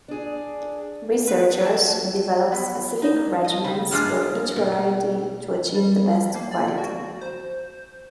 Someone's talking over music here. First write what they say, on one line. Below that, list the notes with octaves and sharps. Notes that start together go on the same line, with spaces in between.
Researchers develop specific regimens for each variety to achieve the best quality.
D4 G#4
B4
A5
B3
D#4
D#5
C#3
G3 G#3 D4 F4
B2
G3
A#3
D5
F#4
C5